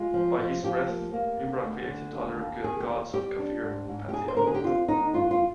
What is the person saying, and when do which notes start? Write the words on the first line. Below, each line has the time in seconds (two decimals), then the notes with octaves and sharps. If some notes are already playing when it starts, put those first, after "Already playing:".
By his breath, Imra created other gods of Kafir pantheon.
Already playing: G#3 F4
0.14 F3
0.39 F3
0.63 F3 G4
0.89 A#3
1.13 A#3
1.39 D3
1.64 D2
1.89 D3
2.14 D#2
2.38 D#2
2.64 D#3 G#4
2.80 G4
2.89 D#2
3.13 G3 G4
3.39 D4
3.63 G#2
3.89 G#2
4.09 G4
4.13 D#4 G#4
4.28 C5
4.37 D3 A#4
4.47 G#4
4.54 G4
4.63 C4 F4
4.88 D3 D#4
5.13 G2 F4
5.31 F4